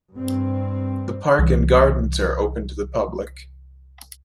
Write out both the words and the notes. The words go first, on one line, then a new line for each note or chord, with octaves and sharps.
The Park and Gardens are open to the public.
G2 C4
C2 E3